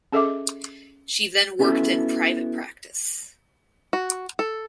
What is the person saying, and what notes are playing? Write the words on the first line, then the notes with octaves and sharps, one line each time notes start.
She then worked in private practice.
C#4 G#4 A4 D#5 E5 D6
B3 C#4 E4 F#4 A4
F#4
A4